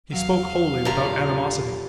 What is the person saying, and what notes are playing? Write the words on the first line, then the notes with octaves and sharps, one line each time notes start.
He spoke wholly without animosity.
E2 F#3 F5
A#2 D3 G3 A3 A#5